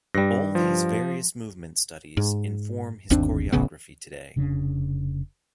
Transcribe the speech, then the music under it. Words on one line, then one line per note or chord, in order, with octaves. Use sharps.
All these various movement studies inform his choreography today.
G2 G3 A#6
F3
G#2
G1 D#2 C4 D4
D1 A1 C#3 B3
F1 C#3 C4 D4